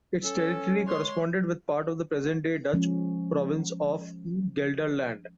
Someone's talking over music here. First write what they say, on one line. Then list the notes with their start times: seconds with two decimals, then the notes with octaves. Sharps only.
Its territory corresponded with part of the present-day Dutch province of Gelderland.
0.23 C#4 A4
0.87 G#3 C#5 C6
2.73 F3 G#3 C#4